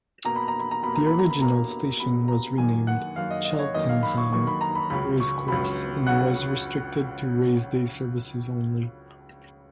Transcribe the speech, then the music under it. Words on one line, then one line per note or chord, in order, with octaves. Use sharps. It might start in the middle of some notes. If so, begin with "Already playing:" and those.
The original station was renamed Cheltenham Racecourse, and was restricted to raceday services only.
B2 A#3 A#5
B5
A#5
B5
A#5
B2 A#3 B5
A#5
B5
A#5
B5
B2 A#3 A#5
B2 A#3 B5
A#5
F#2 D#3 A#3 G#5
F#5
F#2 D#3 A#3 F5
D#5
D#5
C#5
F#2 D#3 A#3 D#5
F5
B5
C#6
F#2 D#3 A#3 C#6
B5
A#5
B5
C#2 C#3 F#3 B5
C#6
C#2 C#3 F#3 B5
C#3 F#3 F#5